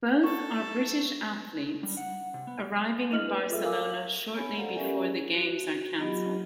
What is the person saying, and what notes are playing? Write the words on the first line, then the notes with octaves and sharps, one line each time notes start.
Both are British athletes arriving in Barcelona shortly before the games are canceled.
A4 C#6
G3
F#5
C3
B3
D4 E4 D#5 F6 F#7
B4
F4 G#4 A4 E5
A#4 F5 G#5 D6 E6
F#7
B3 C#5 G#5 B5
A4 C5 D5 F5 F#5 A#5
C#4 G4 A#4 D5 E5 G#5
G#4
F#4
F#3 B3 F4 G4 D#5 B5